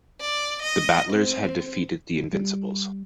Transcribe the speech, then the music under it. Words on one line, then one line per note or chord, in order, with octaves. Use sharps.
The 'battlers' had defeated the 'invincibles'.
D5
D#5
C4
G3